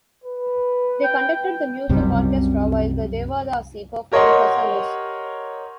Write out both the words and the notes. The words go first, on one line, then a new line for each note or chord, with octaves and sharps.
They conducted the music orchestra while the devadasi performed her service.
B4
G5
C2 F#2 C3 G3
G4 A#4 C#5 D#5 F#5 C6